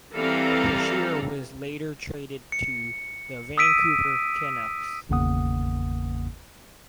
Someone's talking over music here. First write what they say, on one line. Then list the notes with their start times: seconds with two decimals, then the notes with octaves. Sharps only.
Brashear was later traded to the Vancouver Canucks.
0.14 E3 G3 C4 A4 F5 A#5
2.52 C#7
3.58 D#6 E6 B6 D7 D#7
5.09 G#1 E2 C#3 A#3 F#5 D#6